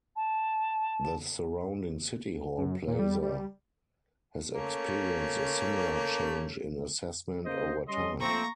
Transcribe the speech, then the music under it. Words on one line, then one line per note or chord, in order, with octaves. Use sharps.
The surrounding City Hall Plaza has experienced a similar change in assessment over time.
A5
F#2
A#2
G3
G3
A3 A#3 C#4
C#3 A#3 C5 D#5
G3 C#4 D#5 C6
F2 A3 A#3 C4 A#5 C#6